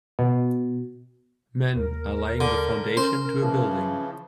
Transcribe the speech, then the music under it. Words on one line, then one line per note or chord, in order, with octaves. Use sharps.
Men are laying the foundation to a building.
B2
D#2 A#4
D3
C#4 C5
C#3 E3 F3